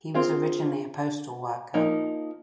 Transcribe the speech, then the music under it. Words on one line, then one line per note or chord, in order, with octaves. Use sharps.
He was originally a postal worker.
C4 F4 G#4
F3 A#3 D#4